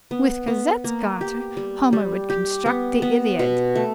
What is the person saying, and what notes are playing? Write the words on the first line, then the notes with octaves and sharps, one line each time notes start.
With Cosette's garter, Homer would construct the Iliad.
B3
B3
A#3
G4
G3
G3
G4
B3
B3
B2
A3